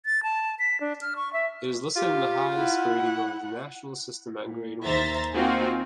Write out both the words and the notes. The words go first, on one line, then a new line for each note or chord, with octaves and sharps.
It is listed in the highest grading of the national system at Grade One.
A6
A5
B6
D4
F6
C#6
E5
F4 G4
E4 F#5
A#2
D#2 D#3 C5 E5 A#5 A6
A#3 C4 D#4 F4 F#4 G#5